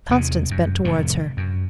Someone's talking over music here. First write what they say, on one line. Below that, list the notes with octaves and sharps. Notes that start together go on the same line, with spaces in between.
Constance bent towards her.
E2 C3
F#2
F1 F2 A2 C3
F#2